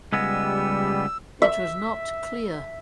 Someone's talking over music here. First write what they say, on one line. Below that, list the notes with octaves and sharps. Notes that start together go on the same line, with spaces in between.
It was not clear.
C#2 G3 G#3 B3 E6
E5